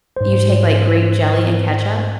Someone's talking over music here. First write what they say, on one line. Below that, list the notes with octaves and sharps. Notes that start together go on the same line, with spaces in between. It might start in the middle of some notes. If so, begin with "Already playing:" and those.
you take, like, grape jelly and ketchup
G#2 C5